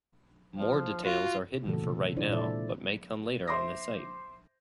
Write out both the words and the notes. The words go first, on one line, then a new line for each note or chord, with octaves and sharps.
More details are hidden for right now, but may come later on this site.
F3
F4 F#4
A#2 C#3 E3 A3 F#4 A4
C3
D4 E4 F4 C5 D5
A#2 G#3 E4 A4 D5 E5
C5 E5 C6 D6 A#6